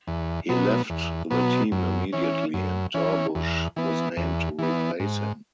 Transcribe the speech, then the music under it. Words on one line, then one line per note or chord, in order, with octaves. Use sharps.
He left the team immediately, and Torbush was named to replace him.
E2
B2 F#3 B3
E2
B2 F#3 B3
F#2
E3 C#4
F#2
E3 C#4
E2
E3 B3
E2
E3 B3
G#2